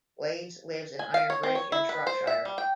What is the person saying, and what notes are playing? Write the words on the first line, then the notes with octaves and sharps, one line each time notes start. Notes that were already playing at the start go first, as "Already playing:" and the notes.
Blades lives in Ironbridge in Shropshire.
G#5
F5
C#5
C4
C#5
E4
B4
C5
E5
G3
G5